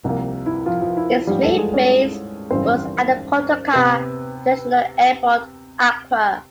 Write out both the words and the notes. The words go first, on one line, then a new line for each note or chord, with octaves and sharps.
Its main base was at Kotoka International Airport, Accra.
C2 C3 F3 A#3
E4
F3 F4
F3 F4
E4
A1 G#2 F3 G3 G4
A3 A4
G#3 G#4
C#4 C#5
G#1 F#2 C#3 E3 G3 C4 C5
C3 B3 B4